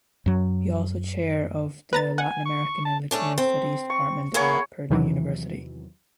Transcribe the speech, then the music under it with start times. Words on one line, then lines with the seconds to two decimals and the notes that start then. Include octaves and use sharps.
He also chair of the Latin American and Latino studies department at Purdue University.
0.26 F#2 F#3
1.93 B4 A#5 A6
2.18 F#5 G#5
2.46 C#6
2.85 A5
3.11 A3 C#4 D4
3.38 C4
3.90 C#6
4.34 E2 A#3 B3 C#5 G#5
4.90 E2 C3 D#3 E3 F#3